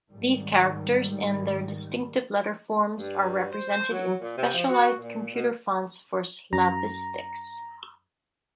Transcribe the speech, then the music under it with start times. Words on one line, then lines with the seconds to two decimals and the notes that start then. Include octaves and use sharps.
These characters and their distinctive letterforms are represented in specialized computer fonts for Slavistics.
0.11 G#2 D#3 G3
2.98 G2
3.50 C5
3.68 C5
3.89 F#3
4.20 A#2
4.35 C3
4.53 F3
4.68 F#4
4.97 A#2
5.33 B2
6.53 F#2 A#5